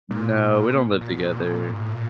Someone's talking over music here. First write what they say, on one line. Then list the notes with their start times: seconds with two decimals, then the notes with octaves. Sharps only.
No, we don't live together.
0.11 A#2
1.01 A#2
1.14 B2
1.25 A#2
1.37 B2
1.49 A#2
1.72 G#2
1.82 A2
1.93 A#2